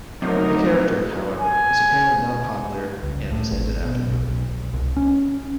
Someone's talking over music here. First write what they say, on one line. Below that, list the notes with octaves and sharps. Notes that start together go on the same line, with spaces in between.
The character, however, was apparently not popular and was ended after the movie.
D2 C3 F#3 D#4 A#4
G#5
C#2
A2
G#1
B2
B1
B1
C2
C#4